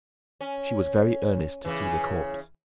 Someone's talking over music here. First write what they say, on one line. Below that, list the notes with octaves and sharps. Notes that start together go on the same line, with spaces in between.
She was very earnest to see the corpse.
C#4
C#3 E3